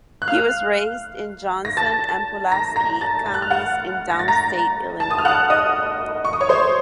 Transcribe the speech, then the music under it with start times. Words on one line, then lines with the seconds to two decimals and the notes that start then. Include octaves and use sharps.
He was raised in Johnson and Pulaski counties in downstate Illinois.
0.22 F#6
0.28 F5 F6
1.65 A#6
1.77 A5 A6
2.52 A#5 A#6
2.76 A#5 A#6
3.01 A5 A6
3.26 A6
3.34 F#6
3.42 F6
3.50 F#5 F#6
4.10 A#6
4.19 A6
4.28 A#5 A#6
5.00 A5 A6
5.11 D#6
5.18 F6
5.25 F#5 F#6
5.50 D#5 D#6
6.25 C#6
6.33 D#6
6.41 C#5 C#6
6.49 C5 C6